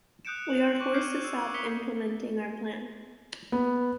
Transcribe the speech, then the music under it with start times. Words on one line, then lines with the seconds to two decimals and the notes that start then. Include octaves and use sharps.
We are forced to stop implementing our plan.
0.25 D#6 F#6 G6 C#7 D7 E7
0.50 F#7
0.79 C#6 D6 F#6
0.94 D6 F6 G6 G#6 C7
1.25 E6
1.54 D#6 B6 C#7 G7
3.52 B3